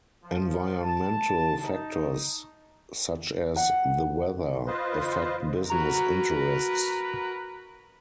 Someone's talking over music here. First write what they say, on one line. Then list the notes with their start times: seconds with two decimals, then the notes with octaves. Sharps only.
Environmental factors, such as the weather, affect business interests.
0.24 F3
0.83 A5
1.63 D#4
3.56 F#5
4.67 F4 B4 C5 D#5
5.70 F#4 A#4 B4 A#5